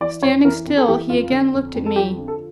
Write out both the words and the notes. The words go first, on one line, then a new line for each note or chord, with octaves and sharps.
Standing still, he again looked at me.
E3 D5
F2 C#5
E3 A#4
F2
A4
E3 G4
F2 F4
D3
F2
F2
A4
F3 G4
D3
A4